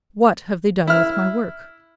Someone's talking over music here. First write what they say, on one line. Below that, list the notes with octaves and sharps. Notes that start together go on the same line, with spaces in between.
What have they done with my work?
E4 F6